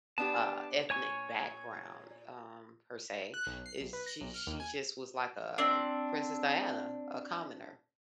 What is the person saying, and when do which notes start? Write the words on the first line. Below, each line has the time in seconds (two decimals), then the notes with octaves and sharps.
uh, ethnic background, um, per se. Is she she just was like, um, Princess Diana, a commoner.
0.18 B3 D4 G4 A5
0.90 A#2 C#5 G#5 C#6
3.34 F#6
3.47 B1
3.66 C7
3.81 B1
3.93 B4
4.06 A#6
4.21 B1
4.34 F6
4.47 D#2
4.60 G#5
5.58 C4 D4